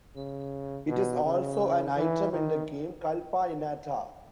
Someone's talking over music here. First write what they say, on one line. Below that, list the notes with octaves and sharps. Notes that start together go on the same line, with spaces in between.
It is also an item in the game Culpa Innata.
C#3
B2
C#3
E3
D#3